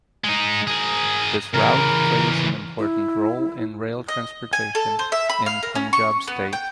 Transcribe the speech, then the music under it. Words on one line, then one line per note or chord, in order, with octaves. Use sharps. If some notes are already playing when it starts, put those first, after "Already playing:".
This route plays an important role in rail transportation in Punjab state.
G#3 D#4
G#4 A#4
C#3 E3 A#4
E4
D#5
G#5
A4
C5
E5
B5
F5
A#4
C#4
C#6
B3
G5